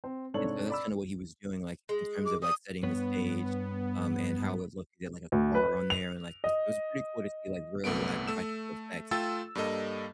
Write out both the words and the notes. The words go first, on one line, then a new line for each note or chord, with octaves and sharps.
and so that's kinda what he was doing, like, in terms of, like, setting the stage, um, and how it was looking, he had like a car on there and, like, it was it was pretty cool to see, like, real live practical effects,
C4
F1 G#2 D4 A4 C#5 F#7
D5 B5 E6
G#3
D6
G3 D#6
G2 B3 B4 C#5
D2
B4
F7
D#5
G1 C2 A3 B3 D7
A3 E6 E7
A3 F4 A4 G5 E6 A6
G2 G3 A#3 A4 D#5